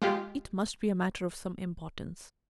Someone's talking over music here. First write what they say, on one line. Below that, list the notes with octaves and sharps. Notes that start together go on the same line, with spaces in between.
It must be a matter of some importance.
G#3 F4 G4